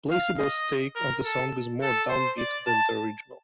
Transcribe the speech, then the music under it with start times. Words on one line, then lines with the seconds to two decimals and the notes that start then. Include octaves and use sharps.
Placebo's take on the song is more downbeat than the original.
0.11 F5
0.39 D#5
0.96 A#4
1.24 A4
1.82 A4
2.09 C5
2.38 D5
2.66 A5